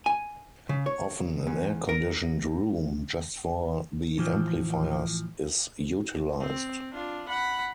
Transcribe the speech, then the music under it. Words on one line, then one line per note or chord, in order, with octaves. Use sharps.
Often an air conditioned room just for the amplifiers is utilised.
G#5
C#3
C#5
E2
A#4
A2 E3 F3
C4
D4 F4
F#5 B5